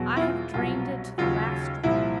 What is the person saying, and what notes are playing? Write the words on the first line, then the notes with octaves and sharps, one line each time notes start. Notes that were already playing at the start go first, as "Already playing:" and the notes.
I have drained it to the last drop.
Already playing: E2 B2 F#3
E4
F4
C2 B2 F#3 F4
D#2 C#3 F#3 F4
C2 A#2 F3 E4